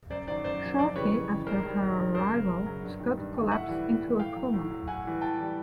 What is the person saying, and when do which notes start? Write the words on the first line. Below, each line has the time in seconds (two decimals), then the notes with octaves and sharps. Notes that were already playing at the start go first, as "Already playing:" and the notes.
Shortly after her arrival, Scott collapsed into a coma.
0.10 F#2 C5 D5
0.27 D#3 C5 D5
0.30 F#3
0.44 F#2 C5 D5
0.62 D#3 F#3
0.78 F2 C5 D5
0.95 C#3 E3 G3 B4 C#5
1.13 F2
1.30 C#3 E3 G3
1.47 G#2 A#4 C5
1.64 D#3 G3
1.81 G#2
1.98 D#3 G3
2.15 F#2 A#4 C5
2.32 C#3 F#3
2.49 F#2
2.66 C#3 F#3
2.83 G2
3.00 D#3 G3
3.17 G2
3.34 D#3 G3
3.51 A2 E5 F#5
3.68 E3 G3
3.85 A2
4.02 E3 G3
4.19 A2 F5 G5
4.36 F#3
4.53 A2
4.71 F#3
4.87 A2 F#5 G#5
5.05 E3 G3
5.21 A2 G5 A5
5.38 E3 G3